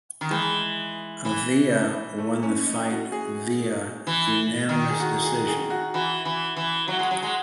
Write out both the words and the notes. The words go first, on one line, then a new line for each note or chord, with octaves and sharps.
Avila won the fight via unanimous decision.
D#3
E3 G#3
E3
A3
C#4
D#4
F#4
G#4
E3
D#3
G#4
F#4
G#4
G#4
F#4
E3 F#4
E3
E3
F#3 F#4
G#3
F#3
G#3